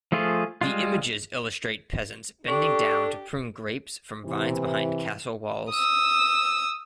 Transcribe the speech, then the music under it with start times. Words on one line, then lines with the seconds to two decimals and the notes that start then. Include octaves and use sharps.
The images illustrate peasants bending down to prune grapes from vines behind castle walls.
0.12 F3 A3 F4 G#4
0.61 G3 G#3 F4
2.48 D4 G4 A4 C#6
4.25 C3 E3
5.71 D#6 E6